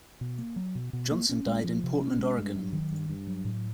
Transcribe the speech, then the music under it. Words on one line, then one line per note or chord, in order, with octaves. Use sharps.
Johnson died in Portland, Oregon.
B2
A#3
F#3
B2
B2
A#3
C#4
G#3
F3
C3
C#4
G#3
G2
F#3
D#3
G2
G2
F#3
A2